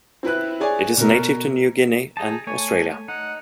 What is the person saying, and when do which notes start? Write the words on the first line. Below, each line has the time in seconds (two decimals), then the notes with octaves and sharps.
It is native to New Guinea and Australia.
0.23 C4 E4 B4 F#6
0.60 G#4 C#5 D5 G#5
0.97 B2 A#4
2.17 D#4 G#4 A5
2.47 A3 C#5 G#5
3.08 D#4 F#5